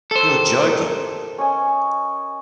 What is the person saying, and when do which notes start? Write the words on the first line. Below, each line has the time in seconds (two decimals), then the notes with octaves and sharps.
You're joking!.
0.11 A4 C5 E6
0.29 G4 A#4
1.38 C#4 D#5 G#5